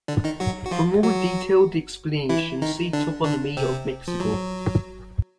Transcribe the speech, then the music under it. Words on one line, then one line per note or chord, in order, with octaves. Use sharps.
For more detailed explanation see Toponymy of Mexico.
D3 D4
D#3 D#4
F#3 F#4
F#4
F3 F4
F#3 F#4
E3 E4
D#3 D#4
D3 D4
D3 D4
C3 C4
F3
F#3